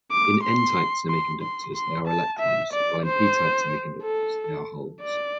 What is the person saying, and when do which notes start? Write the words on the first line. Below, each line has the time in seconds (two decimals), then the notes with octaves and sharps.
In n-type semiconductors they are electrons, while in p-type semiconductors they are holes.
0.12 D6
0.43 C6
1.09 C6
1.42 C6
1.75 C6
2.08 A5
2.40 E5
2.73 D5
3.05 C5
4.03 A4
5.02 D5